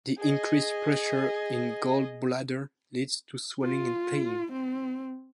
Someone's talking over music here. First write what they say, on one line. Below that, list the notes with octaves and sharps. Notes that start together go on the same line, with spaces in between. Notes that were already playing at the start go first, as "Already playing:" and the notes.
The increased pressure in the gallbladder leads to swelling and pain.
G#4 D#5
F4
C4